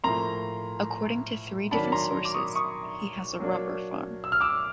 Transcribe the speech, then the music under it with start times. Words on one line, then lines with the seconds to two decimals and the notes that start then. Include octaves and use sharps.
According to three different sources, he has a rubber farm.
0.04 A2 F3 A#3 A#5 C6
1.71 D#3 F#3 A#3 D4 A5 B5
1.92 A#5 C6
2.25 D6
2.34 C#6 D#6
2.55 C#6 D#6
3.40 F#3 A#3 D4
4.24 E6
4.32 F6
4.41 D6 E6